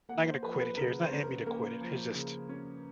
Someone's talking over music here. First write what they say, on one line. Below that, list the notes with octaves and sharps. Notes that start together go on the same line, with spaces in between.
I'm not gonna quit it here, it's not in me to quit it, it's just,
A#3 F#5
C5
F3 B4
B4
C#3 A#4
C5
C#4
A#4
A#3 A#4
F3
C#3
C#4